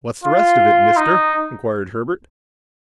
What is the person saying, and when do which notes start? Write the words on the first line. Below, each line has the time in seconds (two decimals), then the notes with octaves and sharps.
"What's the rest of it, Mister?" inquired Herbert.
0.24 F4
0.97 D#4